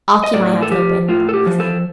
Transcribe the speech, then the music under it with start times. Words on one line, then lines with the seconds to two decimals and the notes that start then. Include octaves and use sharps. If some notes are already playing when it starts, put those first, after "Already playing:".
'I'll keep my eyes open,' he said.
0.24 D#5
0.34 A2 D5
0.62 A4
0.71 F3 G4
1.08 A2 F4
1.29 A4
1.34 G4
1.46 F3
1.60 A4